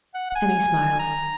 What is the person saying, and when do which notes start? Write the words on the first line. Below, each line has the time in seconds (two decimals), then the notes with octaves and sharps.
Emmy smiled.
0.14 F#5
0.30 F#5
0.35 G#5
0.99 A#5